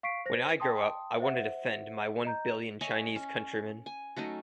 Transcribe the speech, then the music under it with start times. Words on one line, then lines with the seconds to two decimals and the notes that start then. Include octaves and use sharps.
When I grow up, I want to defend my one billion Chinese countrymen!
0.03 F5 C#6 B6 C7 D7
0.26 C5 A#6
0.60 G5 A5 C6 D#6
1.20 C5 E5 F#5
2.25 D#5 A#5 G6
2.81 C#5 D#5 E5 G#5
3.16 C#4
3.86 G#5
4.16 F#3 A3 C#4 D#4